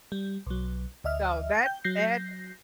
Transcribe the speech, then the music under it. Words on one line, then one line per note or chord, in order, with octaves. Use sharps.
So that that,
G3
B1 F#3
D2 D#5 E5 F6
G5 G6
F#3 G6 A#6 C7